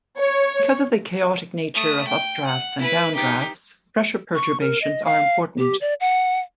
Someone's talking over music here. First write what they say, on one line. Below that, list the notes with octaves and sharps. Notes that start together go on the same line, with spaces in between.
Because of the chaotic nature of updrafts and downdrafts, pressure perturbations are important.
C#5
A3 D#6
G5
F#5
E4 B4
D#4 G4
C#6
A#4
D#5
F5
G4
D5
F#5